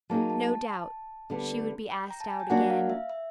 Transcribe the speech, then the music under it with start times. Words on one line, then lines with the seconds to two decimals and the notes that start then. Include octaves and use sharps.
No doubt she would be asked out again.
0.10 F#3 A#3 D#4 G#4 A5
0.30 A5
0.50 A5
1.30 D3 G3 B3
1.90 G5
2.11 A#5
2.20 A5
2.30 G#5
2.40 G5
2.50 F#3 A#3 D4 F#4 F#5
2.70 F5
2.90 E5
3.10 E5